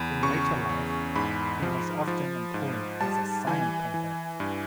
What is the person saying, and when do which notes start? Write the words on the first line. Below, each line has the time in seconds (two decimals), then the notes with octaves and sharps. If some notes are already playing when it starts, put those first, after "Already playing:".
In later life he was often employed as a sign painter.
Already playing: E2 B5
0.23 C#3 C#6
0.69 E2
1.16 G#2 B5
1.62 F3
2.07 F3
2.54 G#2
3.01 G3 A5
3.47 E3 G#5
3.94 E3
4.40 G2